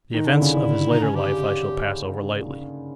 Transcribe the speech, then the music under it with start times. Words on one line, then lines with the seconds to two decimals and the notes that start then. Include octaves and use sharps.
The events of his later life I shall pass over lightly.
0.13 D#3 D#4
0.26 D3 D4
0.39 C#3 E4
0.55 D3
0.90 D#4
1.03 C#4
1.16 G4